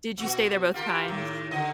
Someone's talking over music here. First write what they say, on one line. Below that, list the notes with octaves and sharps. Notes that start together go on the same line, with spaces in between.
Did you stay there both times?
B2 F#4
F4 G4 A#4
A2 D#3
D3 D#5